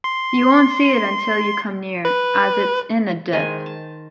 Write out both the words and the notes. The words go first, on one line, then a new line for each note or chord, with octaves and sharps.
You won’t see it until you come near, as it’s in a dip.
C6
B4
D#3 G#3 C5 G#5
A5